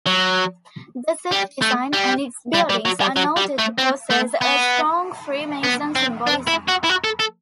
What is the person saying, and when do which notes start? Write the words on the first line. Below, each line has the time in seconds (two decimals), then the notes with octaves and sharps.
The city design and its buildings are noted to possess a strong Freemason symbolism.
0.07 F#3
1.31 G3
1.62 A3
1.93 G3
2.55 G3
2.70 G3
2.85 F#3
3.01 G3
3.16 F#3
3.37 G3
3.59 A3
3.79 C4
4.10 A3
4.42 B3
5.64 B3
5.96 C4
6.27 D4
6.47 E4
6.68 F#4
6.84 E4
6.89 F#4
7.04 A4
7.20 A4